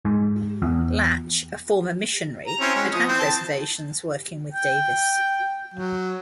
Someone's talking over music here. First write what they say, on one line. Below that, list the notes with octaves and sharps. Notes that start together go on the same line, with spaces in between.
Latch, a former missionary, had had reservations working with Davis.
G#2
E2
A#5
C4 C#4 E4
G#3 C#4
F3 D#6
E3 C4
A5
G5
F#3